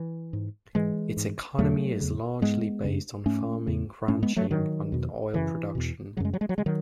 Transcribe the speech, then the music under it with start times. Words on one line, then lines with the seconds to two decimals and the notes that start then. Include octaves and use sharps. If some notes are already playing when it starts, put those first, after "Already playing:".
Its economy is largely based on farming, ranching and oil production.
Already playing: E3
0.33 G#2
0.75 G#2 E3 G#3
1.17 G#2
1.59 E2 B2 F#3 A3
2.00 E2 C#3
2.41 G#2 G#3 B3
2.84 F#2 C#3
3.26 G#2 A3 C#4
3.67 E2 C#3
4.08 G#2 A3 C#4
4.23 G#3 B3
4.37 F#3 A3
4.50 G#2 D#3 F#3
4.92 E2 B2
5.34 F#2 C#3 E3
5.75 E2 B2
6.17 C#3 F#3
6.20 F#2 G#3
6.33 F#3
6.41 G#3
6.49 F#3
6.58 C#3 G#3
6.66 D#3 F#3